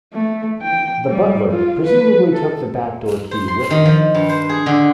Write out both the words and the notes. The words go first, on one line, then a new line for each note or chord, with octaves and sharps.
The butler presumably took the back-door key with him.
A3
G5
G3
F4
B4
A4
C5
C6
D#3
F3
G2
C5
G#4
D3